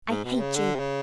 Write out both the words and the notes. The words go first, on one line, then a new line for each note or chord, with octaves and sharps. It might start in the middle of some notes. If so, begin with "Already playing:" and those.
I hate you.
G#2
B2
C3
C#3
D3
C3
C#3